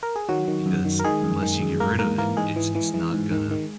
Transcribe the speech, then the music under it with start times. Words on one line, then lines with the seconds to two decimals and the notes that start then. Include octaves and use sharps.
because unless you get rid of it, it's it's not gonna
0.03 A#4
0.16 G#4
0.29 D#3 F#3 F#4
0.48 D#3
0.66 F#2
0.85 D#3
0.99 A#4
1.04 D#3 G#3 G#4
1.23 F#2
1.42 D#3
1.61 F#2
1.80 G#2 A#3 A#4
1.99 G#2 A#3 A#4
2.18 E3 A#3 A#4
2.37 G#2 G#3 G#4
2.56 E3
2.75 E3
2.94 E3
3.13 G#2
3.31 D#3
3.51 D#3